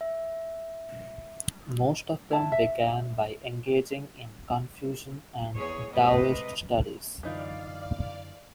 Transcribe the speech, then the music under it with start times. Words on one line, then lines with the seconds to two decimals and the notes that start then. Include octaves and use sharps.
Most of them began by engaging in Confucian and Daoist studies.
0.01 E5
2.31 E4 A5
2.52 E5
5.56 E2 G#4 C#5
5.91 G#2 C3 A3 B4 D#5
7.23 F#2 D3 E3 D#4 F4 D5 F5